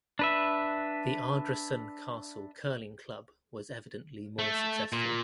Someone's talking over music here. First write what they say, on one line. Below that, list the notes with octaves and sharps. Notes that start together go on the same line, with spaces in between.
The Ardrossan Castle Curling Club was evidently more successful.
D4 B4 E5
A3
A#2